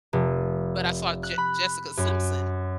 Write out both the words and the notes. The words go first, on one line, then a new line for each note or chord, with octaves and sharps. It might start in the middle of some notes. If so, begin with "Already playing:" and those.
but I saw Jes Jessica Simpson
F1
F#6
B5
F#2